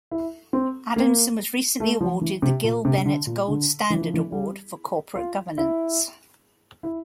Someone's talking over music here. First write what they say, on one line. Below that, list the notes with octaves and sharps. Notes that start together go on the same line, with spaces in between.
Adamson was recently awarded the "Gil Bennett Gold Standard Award" for corporate governance.
E4
C4
A#3
A3
F3
E3
C3
A#2
C3
C3
D3
A#2
D3
E3
F3
E3
G3
F4
E4
E4